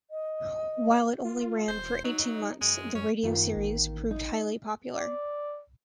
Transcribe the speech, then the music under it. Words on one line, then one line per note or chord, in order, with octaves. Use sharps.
While it only ran for eighteen months, the radio series proved highly popular.
D#5
F4
E1 C5
F#3 D#4
F#2 G#3
F#2 C#4
F#2 D#3 A#3 F4
A1
D#4
D5